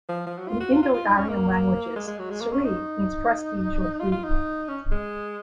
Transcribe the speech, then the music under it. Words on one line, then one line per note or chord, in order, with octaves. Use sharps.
In Indo-Aryan languages, Sri means prestige or beauty.
F3
F3
F#3
F4
F#4
F4
F4
F4
D#4
C#4
A#3
G#3
G#3
F#3
G#3
A#3
C#4
D#4
F4
F4
D#4
C#4
G#3